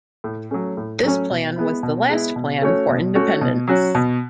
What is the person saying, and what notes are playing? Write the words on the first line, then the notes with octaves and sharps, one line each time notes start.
This plan was the last plan for independence.
A2
F#3 A3 C#4
A2
F#3 A3 C#4
B2
G#3 B3 E4
B2
G#3 B3 E4
B2
A3 C#4 F#4 C#5
B2
A3 C#4 F#4 C#5
B2
F#3 C#4 F#4
B2